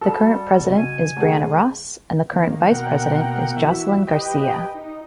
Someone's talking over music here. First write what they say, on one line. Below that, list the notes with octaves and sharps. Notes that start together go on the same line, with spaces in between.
The current President is Breana Ross, and the current Vice President is Joseline Garcia.
G3 F#4 A4
C#3 F#4 D#5
G#5
D2 G#4 D5 A5
D#3 A#3
B2 A#3 A#4 F#5 G5
E3 F#4 E5
G4 B4 D#5 G5
D#4